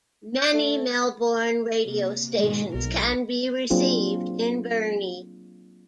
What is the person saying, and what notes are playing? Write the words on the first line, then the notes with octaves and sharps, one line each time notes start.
Many Melbourne radio stations can be received in Burnie.
G6
A3 D5
G#6
C3 A#3
G#2 B2 D#3 G#3
B1 A#4
F#3 A#3 C4 D4 F4 G#4